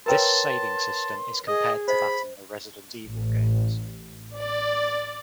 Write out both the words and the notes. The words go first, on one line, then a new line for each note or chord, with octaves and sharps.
This saving system is compared that in the "Resident Evil" games.
A#4 B4 C#5 G5 A5 A#5 C6 E6
G#4 D#5
C5 D#5 B5
A1
D5